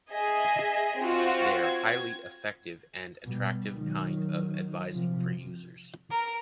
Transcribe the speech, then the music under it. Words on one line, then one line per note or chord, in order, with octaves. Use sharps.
They’re a highly effective and attractive kind of advertising for users.
G#4 D#5 E5 G#5
C4 F4 F#4
G#6
B2 G3
D#3 F#3
C3 F3
A#4